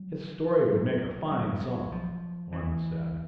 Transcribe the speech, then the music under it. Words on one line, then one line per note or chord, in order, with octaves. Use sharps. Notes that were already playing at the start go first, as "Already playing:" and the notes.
"His story would make a fine song," one said.
Already playing: F#3
F#3
F#3
F#3
F3
E3